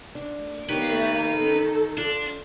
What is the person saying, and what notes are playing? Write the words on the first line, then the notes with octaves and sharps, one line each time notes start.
Yeah, you
D4
D#3 B3 G4 B4 C#5 D#5
A4 F5
D4 F4 D5